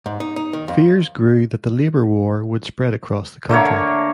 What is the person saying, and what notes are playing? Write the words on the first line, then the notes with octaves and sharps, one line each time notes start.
Fears grew that the labor war would spread across the country.
G#2
D#4
D#4
D#3
F2
D3 A3 A#3 C#5